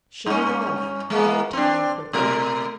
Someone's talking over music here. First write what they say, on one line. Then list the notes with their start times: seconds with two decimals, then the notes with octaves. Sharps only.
"Shut it off!" cried Tom quickly.
0.26 G2 C#4
1.10 G#3 A#3 B3
1.53 C4 D4
2.13 B2 A3 A#4